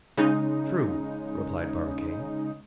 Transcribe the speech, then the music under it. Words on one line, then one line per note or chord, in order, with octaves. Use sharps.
"True," replied Barbicane.
C#3 G#3 D#4